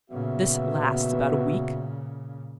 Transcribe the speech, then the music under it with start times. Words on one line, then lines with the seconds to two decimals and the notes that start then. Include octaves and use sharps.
This lasts about a week.
0.10 A#2 C#3 B3 F#4 E5